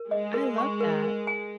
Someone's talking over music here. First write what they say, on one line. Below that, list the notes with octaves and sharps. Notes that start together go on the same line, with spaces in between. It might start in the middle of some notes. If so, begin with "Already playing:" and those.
I love that.
Already playing: A#4
G#3 D#5
A#4
C#6
A#4
A#4
G#5